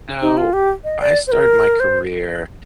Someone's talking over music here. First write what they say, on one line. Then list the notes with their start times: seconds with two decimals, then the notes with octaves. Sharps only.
So, I started my career
0.22 D#4
0.37 F4
0.53 G4
0.84 D#5
1.01 D5
1.27 C5
1.32 A#4
1.80 C5